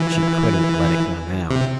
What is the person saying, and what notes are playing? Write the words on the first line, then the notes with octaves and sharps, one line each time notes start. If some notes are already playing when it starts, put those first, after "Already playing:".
She couldn't let it go now.
Already playing: E3
C3